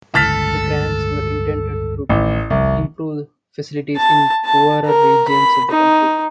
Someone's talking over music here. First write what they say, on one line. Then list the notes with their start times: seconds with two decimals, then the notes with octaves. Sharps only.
The grants were intended to improve facilities in poorer regions of the country.
0.15 G1 C#2 A2 A4 F6 A6 B6
2.09 A1 D#3
2.50 F1 C2
3.96 A5
4.45 A5
4.85 A#4
5.28 B5
5.71 D#4